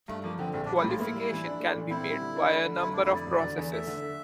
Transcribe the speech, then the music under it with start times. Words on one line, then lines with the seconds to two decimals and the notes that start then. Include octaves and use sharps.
Qualification can be made via a number of processes.
0.08 G2 A3
0.23 F3 A#3
0.39 D3 C4
0.53 A#1 C4
0.65 D4
0.69 G3
0.77 E4
0.84 A2 F4
0.99 A#3 E4
1.15 G3
1.30 E3
1.45 D4
1.60 A3
1.75 A#2
1.90 C4 E4
2.06 G3
2.21 D3
2.36 D4
2.51 A3
2.66 D3
2.76 F4
2.81 F1 E4
2.93 D4
2.97 D3
3.04 E4
3.12 F2 D5
3.27 E1
3.42 D3
3.57 E2
3.73 A3 E5
3.87 D3